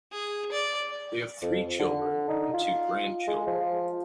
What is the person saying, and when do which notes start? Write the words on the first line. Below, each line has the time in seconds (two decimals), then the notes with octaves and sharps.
They have three children and two grandchildren.
0.13 G#4
0.52 D5
1.42 F2
1.80 D3
2.29 D#4
2.53 F4
3.27 G#3
3.47 F3